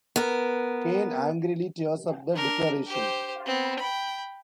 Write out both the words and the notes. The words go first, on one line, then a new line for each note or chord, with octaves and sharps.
Kane angrily tears up the declaration.
B3 A#4
D4 A#4
G4 C5
B3 C4
G5 B5